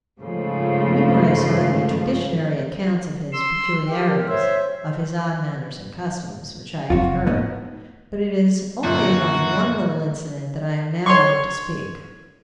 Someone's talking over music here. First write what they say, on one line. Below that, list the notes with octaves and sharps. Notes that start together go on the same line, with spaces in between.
Numerous are the traditionary accounts of his peculiarities,--of his odd manners and customs,--which I have heard; but it is only of one little incident that I am now going to speak.
G#2 C#3 F3 A3
C6 E6
G4 A#4
C5 C#5 E5
F#1 F2 F4 F#4
A2 B3 D#4
F#2 A#2 D3 F#4
C#5 C6 C#6